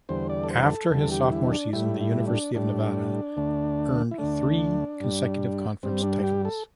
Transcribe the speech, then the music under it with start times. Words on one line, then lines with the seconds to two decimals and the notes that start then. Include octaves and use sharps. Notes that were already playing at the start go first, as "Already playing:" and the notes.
After his sophomore season, the University of Nevada earned three consecutive conference titles.
0.09 E2 D3 G3 C5
0.30 D5
0.44 A4
0.50 C5
0.70 A4
0.90 E2 D3 G3 A4
1.12 G4
1.32 E4
1.52 D4
1.73 A2 G3 E4
2.01 E4
2.28 D4
2.55 A2 G3 D4
3.37 D2 D3 A3
4.11 E4
4.18 D2 D3 A3 D4
5.00 G2 G3
5.83 G2 G3 C4
6.03 D4
6.23 G4
6.45 A4